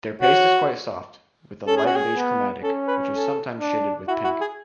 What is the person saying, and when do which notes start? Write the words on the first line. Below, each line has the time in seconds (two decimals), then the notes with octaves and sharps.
Their paste is quite soft, with a light beige chromatic, which is sometimes shaded with pink.
0.22 F#4 C#5
1.67 C#4 A4
1.76 G#4
1.86 F#4
1.96 G#4
2.15 B3
2.63 C#4 A4
2.88 B4
3.12 A4
3.60 D4
4.08 E4 F#4
4.24 F#4
4.41 G#4